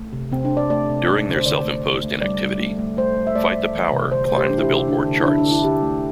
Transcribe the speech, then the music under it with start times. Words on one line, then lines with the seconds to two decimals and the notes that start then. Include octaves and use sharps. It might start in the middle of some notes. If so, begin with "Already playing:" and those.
During their self-imposed inactivity, "Fight the Power" climbed the "Billboard" charts.
Already playing: A3
0.13 C3
0.32 C3 C4
0.45 D4
0.51 C3
0.57 D5
0.70 A3 D5
0.89 C3
1.08 A3
1.27 D3
1.36 C5
1.46 D3 D5
1.65 A3
1.84 D3
2.03 A3
2.21 G3 D5
2.41 G3
2.60 A3
2.79 A3
2.97 A3 C5
3.17 A3
3.27 E5
3.35 A3 D5
3.55 A3
3.75 E3
3.93 C3
4.12 D3 C5
4.25 C5
4.31 A3
4.37 G4
4.50 E3 D4
4.58 E4
4.62 G4
4.69 C3
4.88 D3 D4
5.07 D3
5.20 E4
5.26 D3 D4
5.38 D4
5.45 D3
5.51 E4
5.64 D3 G4
5.82 A3